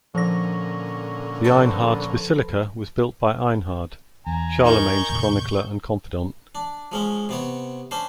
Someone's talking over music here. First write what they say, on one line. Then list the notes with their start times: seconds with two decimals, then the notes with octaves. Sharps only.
The "Einhards-Basilika" was built by Einhard, Charlemagne's chronicler and confidant.
0.15 A#2 D3 F3 C#4 A#6
1.44 A4 B4 C5
4.27 E2 G#5 A#5
4.64 D#4 A#4 C#6 G6
5.09 D#2 A2 C3
6.55 D4
6.92 F3 G#3 C#4
7.29 C3 B3 C#5
7.91 C#4 D4 C5